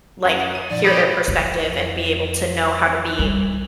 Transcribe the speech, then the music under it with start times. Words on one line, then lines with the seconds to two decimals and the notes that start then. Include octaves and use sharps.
like, hear their perspective and be able to know how to be
0.25 F#2
0.55 D#7
0.70 A#2 F3 D#4 D5
0.85 G4 G#4 B5
1.28 F2
3.19 G3